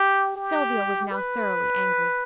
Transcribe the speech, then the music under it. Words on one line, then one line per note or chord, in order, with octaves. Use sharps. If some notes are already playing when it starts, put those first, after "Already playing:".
Sylvia was now thoroughly angry.
Already playing: G4
G4
B4